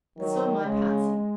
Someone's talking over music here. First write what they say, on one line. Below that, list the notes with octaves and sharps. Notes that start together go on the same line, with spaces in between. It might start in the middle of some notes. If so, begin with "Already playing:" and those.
"And so am I, Patsy."
D#3 F#3
C#3 G#3